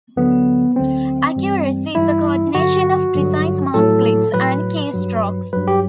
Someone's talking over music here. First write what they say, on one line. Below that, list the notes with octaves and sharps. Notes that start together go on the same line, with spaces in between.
Accuracy is the coordination of precise mouse clicks and keystrokes.
D2 D3 F#3 B3
D2 D3 F#3 C4
G2 E3 G3
G2 E3 G3 E4
G2 D3 F#3 F#4
G2 D3 F#3
A2 F#3 A4
A2 F#3 B4
G2 F#3
G2 F#3 B4
G4